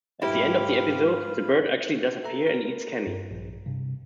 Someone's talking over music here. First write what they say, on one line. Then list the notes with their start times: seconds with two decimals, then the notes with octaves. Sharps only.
At the end of the episode, the bird actually does appear and eats Kenny.
0.22 G#2 E4 F4 G4 B4
2.24 A4 E5 A#5
2.43 A#4 B4
3.07 G2
3.31 A#1
3.66 G2 C3